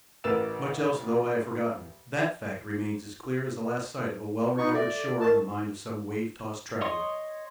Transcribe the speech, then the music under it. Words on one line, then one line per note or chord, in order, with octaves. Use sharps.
Much else though I have forgotten, THAT fact remains as clear as the last sight of a well-remembered shore in the mind of some wave-tossed traveller.
A1 A#4 B4 E6 A6 E7
B3 D#4 C#6
A4 D5 E5 D6
A#4 D#5 A5 C#6
C#5 D#5 C6 C#6 D#6